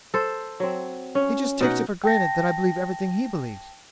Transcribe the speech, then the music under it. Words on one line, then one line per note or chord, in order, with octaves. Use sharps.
He just takes it for granted that I believe everything he believes.
A4 C5
F#3 C4
C#4
B2 D#4 F#5
G5 A5 A#6